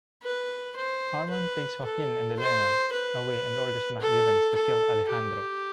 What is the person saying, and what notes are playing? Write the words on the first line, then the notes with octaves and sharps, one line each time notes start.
Armand takes Joaquin and Elena away and orders McGivens to kill Alejandro.
B4
C5
B4
A4
C5
B4
A4
A4
G4